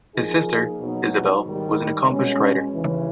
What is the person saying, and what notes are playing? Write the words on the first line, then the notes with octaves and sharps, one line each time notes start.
His sister, Isabel, was an accomplished writer.
F3 A#3 D#4 G#4
B2 F#3 B3 D#4
G#2 D#3 G3
B2 G#3 C#4
D#2 C#3 E3